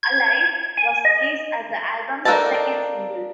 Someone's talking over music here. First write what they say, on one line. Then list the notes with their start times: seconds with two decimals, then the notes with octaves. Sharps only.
"Alive" was released as the album's second single.
0.03 G#6
0.77 G#5
1.05 D#5
2.25 A#3 D4 D#4 A4 A5